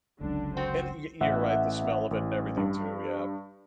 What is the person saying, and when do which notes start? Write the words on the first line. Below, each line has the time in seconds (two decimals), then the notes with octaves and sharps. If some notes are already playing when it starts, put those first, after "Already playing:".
And you're you're right, the smell of it and everything too, yep.
0.21 F#1 C#2 F#2 D3 D4
0.57 C4 F#4 C5
1.21 A1 E5 F#5
2.11 A1
2.57 G2